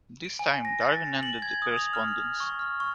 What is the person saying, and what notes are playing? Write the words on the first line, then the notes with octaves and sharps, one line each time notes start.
This time, Darwin ended the correspondence.
D7
G#5
A#6
A6
F#7
G#6
D#6
F7
F6
C#6
F6
C#6